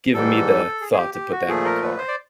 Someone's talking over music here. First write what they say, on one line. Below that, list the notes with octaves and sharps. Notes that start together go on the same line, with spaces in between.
given me the thought to put that in my car.
G#2 E3 G3 A4
G#4
G#4
G4
G4
F#4
A#2 F3 A3 G#4
A#4
B4
C5
D5